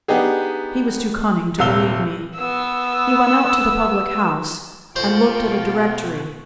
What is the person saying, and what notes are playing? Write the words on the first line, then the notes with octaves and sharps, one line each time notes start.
He was too cunning to believe me; he went out to the public-house and looked at a directory.
B3 D4 D#4 G4 G#4
D#1 C3 F5 E6 G7
B3 E6
B2 F4 A4 C5 G5